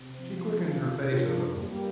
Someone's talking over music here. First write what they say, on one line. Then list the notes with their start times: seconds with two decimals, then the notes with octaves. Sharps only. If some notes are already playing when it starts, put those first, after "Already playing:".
She quickened her pace a little.
Already playing: C3
0.14 F3 C4
0.38 F3
0.62 D4 F4
0.87 C3
1.11 F3 D4 F4 A#4
1.35 G2
1.59 G3 A#3 G4